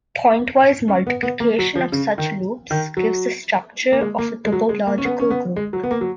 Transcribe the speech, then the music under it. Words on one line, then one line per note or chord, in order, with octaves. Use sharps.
Pointwise multiplication of such loops gives the structure of a topological group.
C#4
B3
B3
A#3
F#3
F3
C#3
D#3
D#3
F#3
A#3
G#3
A#3
G#3
F#3
G#3
A#3
C#4
B3
C#4
B3
G#3
F#3
B3
A#3
F#3